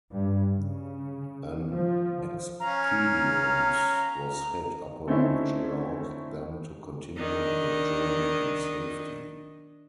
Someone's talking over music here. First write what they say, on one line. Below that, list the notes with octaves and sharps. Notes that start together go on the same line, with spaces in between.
An expedient was hit upon which allowed them to continue the journey in safety.
G2
C#3
F3
C#4 F5 A#5
D3 A3 C4 C#4 D#4 E4
D#3 D4 D#5